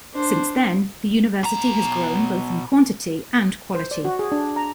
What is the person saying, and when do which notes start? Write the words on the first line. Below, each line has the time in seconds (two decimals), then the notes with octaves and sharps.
Since then, the university has grown both in quantity and quality.
0.14 D4 C5
1.43 B2 A#5
3.75 C5
3.91 D5
4.05 F#4
4.19 G#4
4.32 D4
4.56 A#5